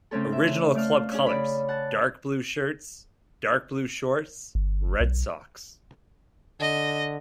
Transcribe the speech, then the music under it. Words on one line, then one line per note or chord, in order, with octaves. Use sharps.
Original club colours: Dark blue shirts, dark blue shorts, red socks.
C#3 A3 C4 C#4 A4
E5
A3 D5 F5
C#4 D4 G#4
C#3 D5 B5
F#5 A5
G1
B1
D3 D#5